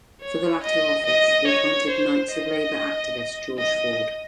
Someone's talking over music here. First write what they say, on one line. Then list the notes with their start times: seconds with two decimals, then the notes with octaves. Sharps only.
For the latter office, he appointed Knights of Labor activist George Ford.
0.22 C#5
0.63 D#5
1.06 D#5
1.47 C#5
1.90 C5
2.32 D#5
3.58 D#5